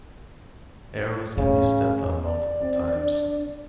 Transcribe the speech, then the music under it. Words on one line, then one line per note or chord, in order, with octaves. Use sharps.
Arrows can be stepped on multiple times.
A2 C#3
D5
C4
D4